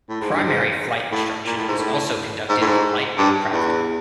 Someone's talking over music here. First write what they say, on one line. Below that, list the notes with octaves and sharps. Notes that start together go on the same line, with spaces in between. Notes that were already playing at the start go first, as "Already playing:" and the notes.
Primary flight instruction is also conducted in light aircraft.
A2
G#2
G2
G#2
A2
A#2
A2
G#2
A2
G#2
A2
G#2
G2
E2